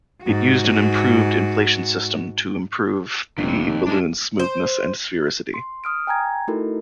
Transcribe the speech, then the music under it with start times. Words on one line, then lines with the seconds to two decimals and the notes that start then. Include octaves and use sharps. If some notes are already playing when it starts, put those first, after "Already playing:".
It used an improved inflation system to improve the balloon's smoothness and sphericity.
0.23 G#2 F#4
3.38 G1 F2 C3
3.65 D#2
3.87 G#2 G#3 D4
4.39 C5
5.54 C6
5.84 D#6 F6 D7
6.07 G5 G#5 A#5 G#6
6.48 A3 D#4 E4 F#4 A4 A#4